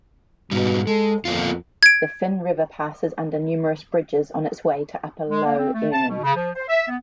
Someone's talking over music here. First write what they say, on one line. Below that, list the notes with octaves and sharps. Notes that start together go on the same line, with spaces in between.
The Finn River passes under numerous bridges on its way to Upper Lough Erne.
G#2 B2 G3
G#3 A4
F2 A#3 B3 F4
G#6 D7
G#3
A#3
C4
A3
A5
B2
C#3
F3
C5
E5
B3